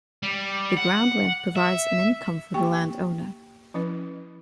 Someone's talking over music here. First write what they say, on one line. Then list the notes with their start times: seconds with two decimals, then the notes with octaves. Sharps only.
The ground rent provides an income for the landowner.
0.23 G3
0.77 F#5
1.56 E5
2.54 A#3 G4 G5 C#6
3.74 F3 C#4 E4 B4